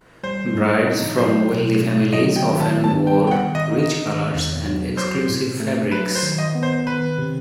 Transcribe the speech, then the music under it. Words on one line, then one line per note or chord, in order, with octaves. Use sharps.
Brides from wealthy families often wore rich colors and exclusive fabrics.
G3 C5
A2
D#4
F#3 C5
B2
A3
F#3 D#5
G5
D#3
A5
B3
A5
G3 G5
G5
F#5
D#3
D#5
D#4
D#5
D#3
E2
F#3
F#3 C5
A2
A3
F#3 B4
C5
D#3
D#5
B3
C5
D#3 B4
C3